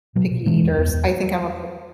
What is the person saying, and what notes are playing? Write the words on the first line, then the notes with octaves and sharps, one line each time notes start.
picky eaters, I think I'm a p
B2 F#3
B2
B2 E3 G#3
E2
E2
E2